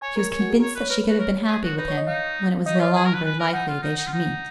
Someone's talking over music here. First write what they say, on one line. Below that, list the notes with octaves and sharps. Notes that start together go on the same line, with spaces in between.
She was convinced that she could have been happy with him, when it was no longer likely they should meet.
C#5 G#5
A#4 C#5
C#5
F#4
G#4
A#4 C#5
B4
C#5
A#4 B4
F#4 B4
A#4 C#5
G#4
F#4
D#4 B4
C#5
D#5
D#4 F5
D#4 D#5
C#5
F4 D#5
G#4 G#5
A#4
B4
B4
A#4
D#4 F#5
F4
D#4
D#4
F4
D#4